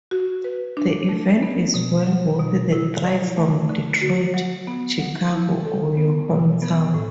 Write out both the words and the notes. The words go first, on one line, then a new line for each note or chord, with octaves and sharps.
The event is well worth the drive from Detroit, Chicago or your hometown.
F#4
B4
D4
A3
B3
B2
F#3
B2
E4
D5
A3
D3
F#4
F#3
B3
F#3
E4
A4
B3
B2
B3
A2